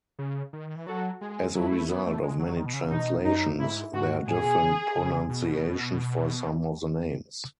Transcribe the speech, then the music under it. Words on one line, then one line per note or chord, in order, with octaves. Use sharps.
As a result of many translations, there are different pronunciations for some of the names.
C#3
D#3
E3
F#3 F#4 A4
G#3 G#4
F#3 E4
A3
B3
A3
G#3
F#3
D#3
B2
C#3
B2 D#4
F#2 D#4
G#2 E4
G#2 F#4
A2 G#4
B2
C#3
C#3
B2